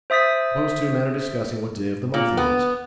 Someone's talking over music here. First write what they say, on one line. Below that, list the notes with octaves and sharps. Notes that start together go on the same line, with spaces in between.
Suppose two men are discussing what day of the month it is.
C5 E5 D#6 A6 B6
A#2
B3